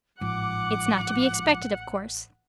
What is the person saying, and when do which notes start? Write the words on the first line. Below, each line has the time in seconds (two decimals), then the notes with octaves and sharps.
It's not to be expected, of course.
0.21 A1 G#2 F3 F#5 D6